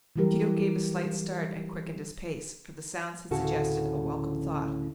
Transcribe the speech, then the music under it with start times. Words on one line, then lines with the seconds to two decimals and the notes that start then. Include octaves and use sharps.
Tito gave a slight start and quickened his pace, for the sounds had suggested a welcome thought.
0.16 E3 F#3 G3 G4 A#4
3.31 D2 A2 C#3 F#4 A4 A5